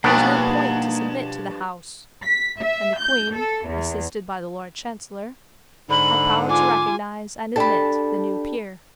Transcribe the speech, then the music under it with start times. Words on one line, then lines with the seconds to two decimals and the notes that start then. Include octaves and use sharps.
There was no point to submit to the House, and the Queen, assisted by the Lord Chancellor, had power to recognize and admit the new peer.
0.04 G2 B2 F3 A#3 B3 D4 D#4 F#5
2.22 B6
2.58 E5
2.97 G6
3.32 A4
3.67 E2
5.89 G#2 D3 B5
6.49 F4 G#5 D6
7.56 D4 G4 A4 A5 B5